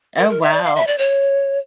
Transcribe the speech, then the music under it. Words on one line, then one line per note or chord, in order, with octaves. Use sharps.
Oh, wow.
A#4
A#4
E5
D5
F5
E5
D5
C#5